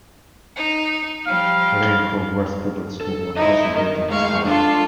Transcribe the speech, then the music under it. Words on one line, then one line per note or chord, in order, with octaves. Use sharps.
Lane Cove West Public School was also built at this time.
D#4
F3 G3 F5
A4
D#4 E4 D#5
D#3
A2 G#3 F5 C#6
D4 F4 A4